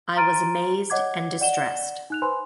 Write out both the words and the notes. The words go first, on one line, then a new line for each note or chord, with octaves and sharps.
I was amazed and distressed.
A#5 C6 F6 A6 D7 D#7
C#5 D#5 F#5 D6 G#6
D5 F#5 E7 G7
D#4 F#6 F7
B4 C5 G#5 B5 C6